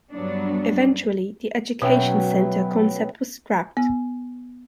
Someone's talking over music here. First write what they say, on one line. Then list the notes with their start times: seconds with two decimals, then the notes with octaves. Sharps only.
Eventually the "Education Center" concept was scrapped.
0.11 G2 F#3 G3 B3 D4
1.82 B2 F#3 B3 C#4 E5 G5
3.77 B3